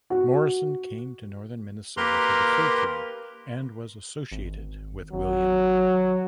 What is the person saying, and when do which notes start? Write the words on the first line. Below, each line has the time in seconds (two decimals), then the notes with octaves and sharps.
Morrison came to northern Minnesota for the fur trade and was associated with William.
0.10 F#4
1.97 A#3 G4 A#4 B4 A#5 C6
4.32 G#1
5.13 G#1 F#3